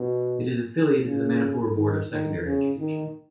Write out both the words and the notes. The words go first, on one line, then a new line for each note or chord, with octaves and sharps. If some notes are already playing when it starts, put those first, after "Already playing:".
It is affiliated to the Manipur Board of Secondary Education.
Already playing: B2
C#3
D#3
D#3
C#3
D#3